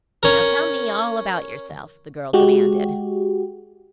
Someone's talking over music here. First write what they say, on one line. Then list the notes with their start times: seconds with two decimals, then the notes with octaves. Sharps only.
"Now tell me all about yourself," the girl demanded.
0.23 C#4 A#4
2.33 G#3 F#4 G4